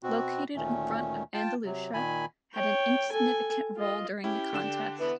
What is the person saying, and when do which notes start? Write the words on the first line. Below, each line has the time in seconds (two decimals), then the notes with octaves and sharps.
Located in the front of Andalusia, had an insignificant role during the contest.
0.03 B2 C4 F#4
0.56 D2 A#2 D#3 A3 C#4
1.34 F4 G5 A5
1.65 C3 F#3
1.94 A#2 D#3 G#5 B5
2.55 C#5 G5
3.12 A4 G#5
3.77 F4 D#5
4.24 C#4 E4 G4
4.53 D3 D4 E7
5.01 B3 E4 B4